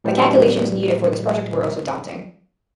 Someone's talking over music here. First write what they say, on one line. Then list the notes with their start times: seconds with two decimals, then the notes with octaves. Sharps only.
The calculations needed for this project were also daunting.
0.04 A2 E3 F#3 G3